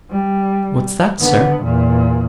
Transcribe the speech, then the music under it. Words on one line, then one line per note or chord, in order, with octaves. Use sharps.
"What's that, sir?"
G3
D3 B3
E2 A#2